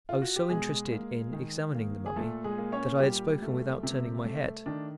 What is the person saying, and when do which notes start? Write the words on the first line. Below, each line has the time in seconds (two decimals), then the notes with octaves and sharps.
I was so interested in examining the mummy that I had spoken without turning my head.
0.09 F4
0.22 F#4
0.36 G4
0.50 B2 G#3 G#4
0.92 A#3
1.33 D#3
1.75 A#3
2.06 G#4
2.16 A#2 A3 A4
2.44 G#3 G#4
2.58 A#3
2.72 C#4 C#5
2.99 A#2 G3 G4
3.42 A3
3.83 C3
4.25 A3
4.66 D#3 D4